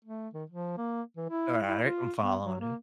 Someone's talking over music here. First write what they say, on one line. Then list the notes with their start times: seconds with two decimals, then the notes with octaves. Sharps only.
All right, I'm following you.
0.05 A3
0.34 D#3
0.50 F3
0.77 A#3
1.17 E3
1.30 E4
1.68 E4
1.82 F4
2.22 B3
2.44 F#3
2.60 A#3